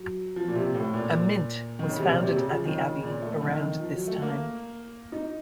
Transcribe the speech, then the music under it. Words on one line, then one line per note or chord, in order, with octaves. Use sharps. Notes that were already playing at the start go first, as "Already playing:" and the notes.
A mint was founded at the Abbey around this time.
Already playing: F#3
F3
A#2
C3
A2
A#2
D#3
C#3
C3
A#2
C3
C#3
F3
D#3
C#3
A#2
A3
D#3
D#3
F3
F#3
A3
A#3
D#4